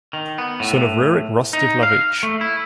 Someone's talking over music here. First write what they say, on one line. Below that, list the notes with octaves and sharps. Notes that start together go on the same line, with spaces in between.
Son of Rurik Rostislavich.
D#3
B3
A2
D#4
F5
A3
E4